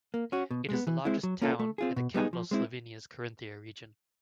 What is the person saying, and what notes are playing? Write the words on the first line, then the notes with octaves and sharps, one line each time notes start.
It is the largest town and the capital of Slovenia's Carinthia region.
A#3
C#4 F#4
B2
G#3 B3
E3
G#3 C4 E4
F#3
A#3 C#4 F4 A4
A3
C4 F4 G#4
B2
G3 B3 D#4 G#4
F3
G#3 C4 E4